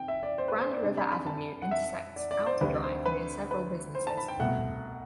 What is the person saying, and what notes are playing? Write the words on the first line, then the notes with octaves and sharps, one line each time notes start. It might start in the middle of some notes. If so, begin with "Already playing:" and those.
Grand River Avenue intersects Outer Drive near several businesses.
Already playing: C3 G5
E5
D5
C5
B4
C5
D5
C3 G3 D4
B5
B5
A5
F#5
E5
D5
D5
C5
D2 C3 G3 D4 B4
C5
B4
B4
C5
A5
B5
G5
C2 B2 A3 F#5